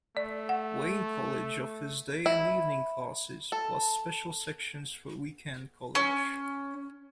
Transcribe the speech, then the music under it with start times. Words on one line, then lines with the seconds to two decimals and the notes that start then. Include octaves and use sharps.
Wayne College offers day and evening classes, plus special sections for Weekend College.
0.17 A3 D5
0.49 F#5
2.26 E4
3.52 A4
5.95 C#4